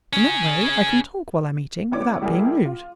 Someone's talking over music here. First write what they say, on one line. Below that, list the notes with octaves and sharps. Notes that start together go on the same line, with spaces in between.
In that way I can talk while I am eating without being rude.
C#4 G#4
A1 B3 E4 C#5 D5 D6
C#2 G3 A#3 E4 G#4
F4